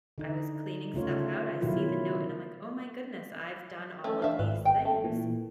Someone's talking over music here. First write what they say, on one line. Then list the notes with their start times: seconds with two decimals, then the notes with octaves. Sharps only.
I was cleaning stuff out. I see the note, and I'm, like, "Oh my goodness. I've done all of these things."
0.18 D3 D#4
0.94 C#3 A3 F4 C#5
1.61 B2 D#3 F#3 E4 F4
4.04 A3 C#4
4.22 E3 D4 E5 F5
4.39 G#1 B4
4.65 G5
4.85 A3
5.04 A#2 E3